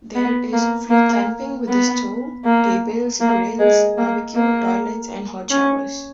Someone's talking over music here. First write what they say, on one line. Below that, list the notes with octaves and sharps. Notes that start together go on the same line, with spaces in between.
There is free camping with a stove, tables, grills, barbecue, toilets and hot showers.
B3
A#3
A#3
B3
A#3
A#3
G#3
A#3
A#3
C#4